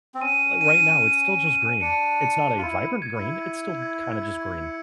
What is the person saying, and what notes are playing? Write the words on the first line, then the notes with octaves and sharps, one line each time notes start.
Like right now, it's still just green. It's not a vibrant green, it's still kinda just green,
C4
C#4 D#7
D#7
D#7
D#7
D4 C#7
C#7
F4
E4 C#7
G#6
E4
G#6
G#6
G#6
C#7